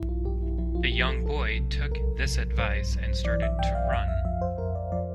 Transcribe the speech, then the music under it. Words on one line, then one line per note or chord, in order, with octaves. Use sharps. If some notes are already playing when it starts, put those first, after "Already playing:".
The young boy took this advice and started to run.
Already playing: G2 E4
F4
G2 G4
E4
F3 E4
F4
F3 G4
A4
C2 A4
C3
C2 A#4
C2
G2 C5
G2
E3 D5
E5
G2 G5
F5
F2 F5
E5
F3 E5
C5
F2 A#4
D5
F3 D5